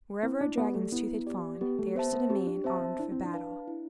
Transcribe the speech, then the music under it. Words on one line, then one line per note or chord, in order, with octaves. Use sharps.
Wherever a dragon's tooth had fallen, there stood a man armed for battle.
C4 E4
D4
B3 G4 D5
A3
B3 E4
G4 D5
B3 G4
A3
B3 C5 E5 A5
B3
C4 G4
D4
C4 C5 E5 A5
C4
D4 E4
C4
D4
B4 F5 A5
E4